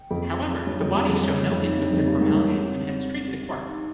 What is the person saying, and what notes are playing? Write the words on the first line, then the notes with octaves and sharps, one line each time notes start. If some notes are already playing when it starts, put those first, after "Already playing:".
However, the Wadi show no interest in formalities and head straight to Quark's.
Already playing: G5
F2 F4
G#4
F4
G2 C#5
F2
F4
G2
F2 G#4
G2 C#5
C#5
F2
D#4
G2 C#5
F2
D#4
G2
G#2 A#4
G2 C#5
C4
C#5
C4
C4
G4
G4
D#4